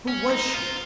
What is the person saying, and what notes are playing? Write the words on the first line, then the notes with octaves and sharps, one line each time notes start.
Who was she?
C#4
D#4
F4